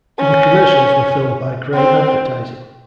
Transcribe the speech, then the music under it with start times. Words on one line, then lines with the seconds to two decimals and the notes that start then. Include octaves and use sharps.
The commercials were filmed by Grey Advertising.
0.19 C#4
1.74 C4